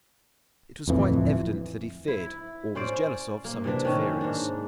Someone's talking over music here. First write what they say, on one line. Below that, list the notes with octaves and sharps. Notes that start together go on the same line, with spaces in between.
It was quite evident that he feared, or was jealous of, some interference.
D1 F2 E3
E4
C#4 C5 D5
A#3
C3 E3 D4
D#3 C#4
G#2 D4